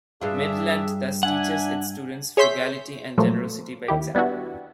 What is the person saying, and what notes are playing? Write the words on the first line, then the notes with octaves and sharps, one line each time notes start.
Midland thus teaches its students frugality and generosity by example.
G2 D4 F4 G#4 E5
D4 E5 F#5 G#5
G#4 C#5 E5 C6 G6 B6
A#2 F3 F#3 A3 A#3
D#2 E4 G4
G3 B3 D4 E4 F#4